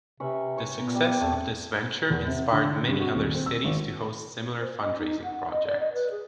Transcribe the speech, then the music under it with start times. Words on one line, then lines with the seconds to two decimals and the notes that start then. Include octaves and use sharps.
The success of this venture inspired many other cities to host similar fundraising projects.
0.20 C3 C#4 B4 E5
0.56 B4 C#5 B5
0.78 A#2 B3 A#5
0.95 G3
1.21 E2 A3 C4
2.10 E2
2.27 C3
2.52 D3
2.88 G2
3.00 F#4
3.15 D#1
3.34 C4
3.46 E6
3.64 G#1
4.61 C5
4.81 D#5
4.99 D#4
5.23 F#5
5.52 D#5
5.66 D5
5.80 D#5
5.93 B4
6.11 G#4